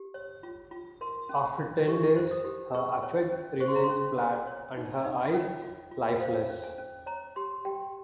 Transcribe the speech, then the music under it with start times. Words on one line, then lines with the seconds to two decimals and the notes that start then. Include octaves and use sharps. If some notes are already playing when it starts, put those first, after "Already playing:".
After ten days, her affect remains flat, and her eyes lifeless.
Already playing: G4
0.14 C#5
0.43 F4
0.71 F4
1.01 A#4 C6
1.29 C#4
1.59 C#4
1.88 G4 C#6
2.16 C5
2.31 D#6
2.45 G4
2.73 G#4 C#6
3.03 C#5
3.32 C#4
3.60 C5 C#6
3.68 C6
3.76 A#5
3.84 C6
3.89 C#4
4.18 C#4
4.47 C#5
4.77 D#4
5.04 D#4
5.33 C#5 G5
5.62 F4
5.91 F4
6.20 C5 F5
6.50 C#4
6.64 G#5
6.78 C#4
7.06 C#5 A#5
7.36 G4 C6
7.65 G4 G5